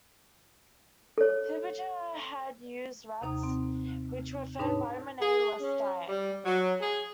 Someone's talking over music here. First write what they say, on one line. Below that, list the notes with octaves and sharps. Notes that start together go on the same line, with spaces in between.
Fibiger had used rats which were fed vitamin A-less diet.
A4 C#5
D#2 C3 D#4 A#5 D#6
C4
G#2 D4 D#4 B4 C#5 A5
G#4
C#4
G3
F#3
G#4